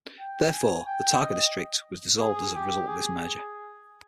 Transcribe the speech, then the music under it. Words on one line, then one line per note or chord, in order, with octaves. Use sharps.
Therefore, the Taga District was dissolved as a result of this merger.
G5
G#5
G5
D#5
G#4
G4
G#4